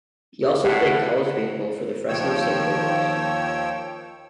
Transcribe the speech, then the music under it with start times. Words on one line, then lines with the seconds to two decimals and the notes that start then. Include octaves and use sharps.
He also played college baseball for the Fresno State Bulldogs.
0.64 A2 F#5
2.08 D#2 F3 C#5 G5 E6